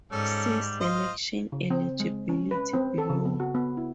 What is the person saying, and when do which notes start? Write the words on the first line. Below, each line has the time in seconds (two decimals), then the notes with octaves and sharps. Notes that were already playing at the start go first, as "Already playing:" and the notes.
See "Selection eligibility" below.
0.12 G#2 G3 C#4 A4
0.80 F4 C5 D#5
1.52 C#3
1.71 C4
2.00 G#3
2.29 C#4
2.51 B4
2.73 C4
2.98 A4
3.09 C#3
3.25 B3
3.40 F#4
3.55 B3
3.77 E4